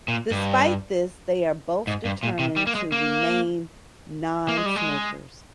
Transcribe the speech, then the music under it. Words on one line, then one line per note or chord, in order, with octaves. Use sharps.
Despite this, they are both determined to remain non-smokers.
A#2
G2
G#2
G2
A#2
C3
G3
A#3
G#3
A#3
A#3
G#3
G3
G#3